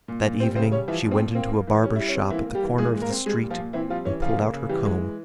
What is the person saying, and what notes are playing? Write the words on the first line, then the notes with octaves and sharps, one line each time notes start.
That evening she went into a barber's shop at the corner of the street, and pulled out her comb.
A#2
A#2
G3 C4 C5
C#3 C4 C5
G3 C#4 C#5
E3 F3 E4
A#2
C4
A#2
A#3 C4
A#3
E3
G3 C#4
G3 E4
C#4
C4
E3 A#3 E4
A#3
G3 G4
E3
A#2 G#3 G#4
G#3
A#3 A#4
C4
G3 G#3 G#4
A#2
F3 F4
A#2
E3 C4 E4
F3 G3 F4
E3 C#4
C#3 F3 F4
A#3
C#3
E3 G3 G4
G#3
E3